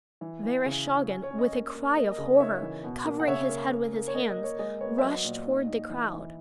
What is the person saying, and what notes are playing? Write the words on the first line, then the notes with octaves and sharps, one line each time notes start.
Vereshchagin with a cry of horror, covering his head with his hands, rushed toward the crowd.
E3
E3
C#3
C#4
C#4
C#5
C#4
D#5
A#3
A#3
A#3 D#5
D#5
C#3
D#5
D#4 C#5 E5
E3
B2
A#3
F#5
C#3 C#5 E5
A#3
A#3
A#3
C#5
A#3 D#5
D#5
A#3
C#5
G#3 D#5
B3 C#5
E5
F#3 D#5
A#2
D#4
D#4
E3
E3